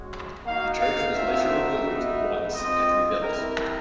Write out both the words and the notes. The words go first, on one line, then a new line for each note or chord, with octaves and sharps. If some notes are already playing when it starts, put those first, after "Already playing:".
The church was later removed once and rebuilt.
Already playing: G#3 C#4 F#4
A#3 D#4 F#4 F5
F5
A3 C4 D#4 F#4 E5
B3 D#4 F#4
C4 F4 D#5
C4 E4 G4 A#4